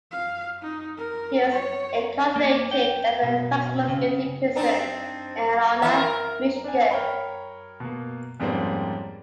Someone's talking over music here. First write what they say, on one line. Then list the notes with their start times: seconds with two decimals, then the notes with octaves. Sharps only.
He was incarcerated at a maximum security prison in Ionia, Michigan.
0.11 F5
0.62 D#4
0.97 A#4
1.51 C#5
2.36 A#3
2.71 G5
3.23 B2
3.88 C#3
4.56 C4 D4 D#4
5.82 A#2 E3 E5
5.96 A#4
6.64 D4 G#5
6.91 A#4 C#5 G5 B5
7.80 B2 A#3
8.40 F2 G#2 G3 A#3 C4 C#4